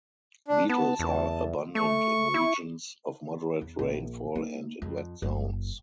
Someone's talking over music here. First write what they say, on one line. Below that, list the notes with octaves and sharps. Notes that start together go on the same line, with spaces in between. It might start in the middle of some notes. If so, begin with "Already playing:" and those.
Beetles are abundant in regions of moderate rainfall and in wet zones.
D4
B3 A5
E2
A3 C#6
E4
E2
A#1
A#3 D#4
F2
F#1